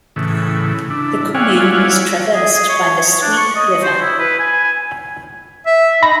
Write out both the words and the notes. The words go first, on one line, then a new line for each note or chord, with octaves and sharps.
The commune is traversed by the Suippe river.
A2 C#3 E3
D4 E4
E4 C#5 D5 F5 F#5 G#5
G#4
G#4
C#5
C#5
D4
C#6
D#5
C5
E4
B4
G#5
G#5
E5
D#4 B5 A#6